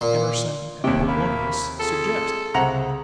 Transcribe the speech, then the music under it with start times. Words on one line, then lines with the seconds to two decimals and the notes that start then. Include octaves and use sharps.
Emerson and Polonius suggest.
0.01 A#2
0.84 D#2 C3 G4
1.08 A#3 B5
1.80 C4 F4 G#4 A4
2.54 C2 C#3 F#5 A#5